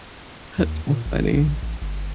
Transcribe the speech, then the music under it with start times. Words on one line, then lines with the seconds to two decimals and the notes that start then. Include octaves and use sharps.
That's so funny.
0.58 D#2
0.87 A#2
1.06 G#1
1.33 A1
1.47 A1
1.63 A1
1.82 G1